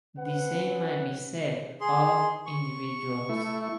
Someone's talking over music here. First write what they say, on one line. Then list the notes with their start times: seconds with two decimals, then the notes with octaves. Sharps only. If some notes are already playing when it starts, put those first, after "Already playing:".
The same may be said of individuals.
0.19 C4 C#4 B4 F#5
1.81 G#4 C6
2.46 C#6
3.29 A3 E4